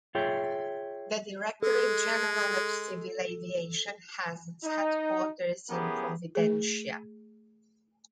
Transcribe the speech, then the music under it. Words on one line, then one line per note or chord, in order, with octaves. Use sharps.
The Directorate General of Civil Aviation has its headquarters in Providencia.
F4 G#4 C#5 E5 G5
G#3 A4
D#4
B3 C#4 E4 G4 G#4 A#4
A3 G#4